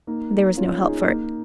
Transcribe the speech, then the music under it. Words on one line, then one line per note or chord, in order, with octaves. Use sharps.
There was no help for it.
A#3 D#4
C#4 F4
D#4 G#4
A#3 D#4